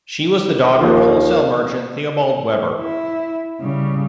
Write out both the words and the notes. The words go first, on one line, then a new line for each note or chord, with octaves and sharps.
She was the daughter of wholesale merchant Theobald Weber.
D#2 D#3 F3 A#3
E4
C#3 G3